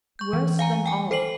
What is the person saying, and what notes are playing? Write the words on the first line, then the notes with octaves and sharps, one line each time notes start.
Worse than all!
C#6 G6
E3
F5 G#5 A#5
G5 G#5
A4 C5 C7 F#7